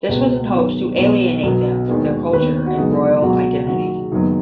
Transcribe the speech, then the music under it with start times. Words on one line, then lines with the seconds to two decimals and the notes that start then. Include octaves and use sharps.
This was in hopes to alienate them from their culture and royal identity.
0.09 C#2 B2 B3 B4
0.54 F#2 D#3 B3 C#5
0.98 B1 B2 F#3 B3 C#5
1.43 B1 B2 F#3 B3
1.88 D#2 D#3 G#3 B3
2.33 D#2 D#3 B3 B4
2.66 F#4
2.77 F#2 C#3 G#3 B3 D#4
3.22 C#2 B2 F#3 F#4
3.67 F#1 F#2 D#3 F#4
4.12 F#1 F#2 D#3 F#3 B3 D#4